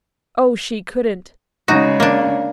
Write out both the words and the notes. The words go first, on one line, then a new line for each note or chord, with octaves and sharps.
Oh, she couldn't!
C#3 G#3 D#4 F#4
A#3 D4